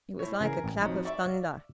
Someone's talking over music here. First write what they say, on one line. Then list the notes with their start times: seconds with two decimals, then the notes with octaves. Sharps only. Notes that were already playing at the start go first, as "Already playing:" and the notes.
It was like a clap of thunder.
0.19 A2 C#5
0.40 C#3 E3 G#4 A#4
0.64 A1
0.82 F2 F#3 D#4 C#5
1.05 D5 E5 C#6
1.28 F5